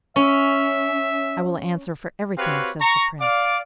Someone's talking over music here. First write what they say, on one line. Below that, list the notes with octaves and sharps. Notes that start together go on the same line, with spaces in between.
I will answer for everything,' says the Prince.
C#4 E5
C4 F#4 G4 B4 C#5 F5
A#5 C#6
D5 F5 D6